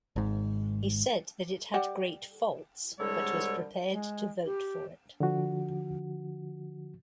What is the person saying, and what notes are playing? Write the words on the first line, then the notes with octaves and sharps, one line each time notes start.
He said that it had great faults but was prepared to vote for it.
G#1 G#2
G3 G4 F#5
C2 D3 G3 G#3 C#5 E6
G#3
G4
D3 F3 F#4